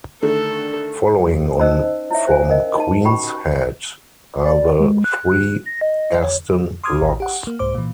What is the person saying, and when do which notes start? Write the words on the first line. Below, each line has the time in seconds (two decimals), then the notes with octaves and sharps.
Following on from Queen's Head are the three Aston Locks.
0.22 D3 D#3 A3 A4
1.60 C#4 D#4 C5 D#5 E6
2.11 E4 C#5 E5
2.27 C5 F5 G#5
2.49 C#4 A#4 D#5
2.77 D#4 A5
3.05 C#4 F#4 G4 G5 B5 C#6
4.44 D5
4.79 G#3
5.04 F#6
5.66 A#6
5.81 D#5
6.22 C#5
6.84 C6 D6 D#6 F6 G#6
7.01 A1
7.20 G4 F#5
7.47 A#3
7.59 C2 G#2 C5 D6
7.75 A#2 E3